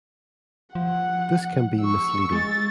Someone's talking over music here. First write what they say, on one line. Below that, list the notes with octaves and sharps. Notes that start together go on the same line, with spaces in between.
This can be misleading.
F3 F#5
C#6 E6
G#3 A6